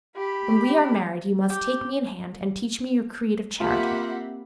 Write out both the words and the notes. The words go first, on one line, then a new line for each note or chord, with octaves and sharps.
When we are married you must take me in hand and teach me your creed of charity.
G4 B5
G4
A#3 C4 F4 G4 E5 F#5 B5